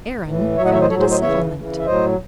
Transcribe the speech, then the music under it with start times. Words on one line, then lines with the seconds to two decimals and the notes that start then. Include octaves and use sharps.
Aaron founded a settlement.
0.25 A2 E3
0.57 A2 F#3 C#5 E5
0.65 D#5 F#5
0.73 C#5 E5
0.81 C5 D#5
0.89 F#3 A4 C#5
0.93 A2
1.00 G#4 C5
1.10 C5 D#5
1.21 C#3 E3 C#5 E5
1.54 C#3 E3
1.79 E5
1.86 A2 F#3 C5 D#5